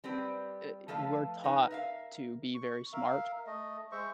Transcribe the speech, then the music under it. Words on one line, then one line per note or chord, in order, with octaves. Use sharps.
uh, we're taught to be very smart.
G3 C4 G4 B4
F3 A3 A4 B4 F5
D#4 B4
A#4 E5 F5
C#6
A#4 E5 F5
A3 D#5
G#3 C5 E5 C#6